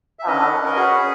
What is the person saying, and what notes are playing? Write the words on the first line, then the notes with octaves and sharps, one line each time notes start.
Oh, 'kay.
E5
C#4 B4 D#5
C#4
A#4
F#4 G#4 B4